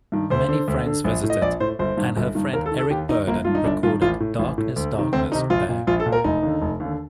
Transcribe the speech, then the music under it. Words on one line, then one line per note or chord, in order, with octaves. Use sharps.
Many friends visited, and her friend Eric Burdon recorded "Darkness Darkness" there.
G2 D#3
D2 C5
D3
D2
D3
A#1
A2
D#5
A#1 D5
A2 C5
G1 C5
G2 D#3
G1
G2 D#3
D#2 A#4
A4
D#3
A4
D#2 G4
D#3 D#4
G1 A#3
G2 D#3 F4
D#4
G1 D4
G2 D#3 F4
A1 F4
A2
A1
A2
D2
C3 D#3
D2 C4
C3 D#3 D#4
A#1 F4
A#2
A#1 F4
A4
A#2
A#4
F1 D#4
D#2 D3
F1
D#2
D3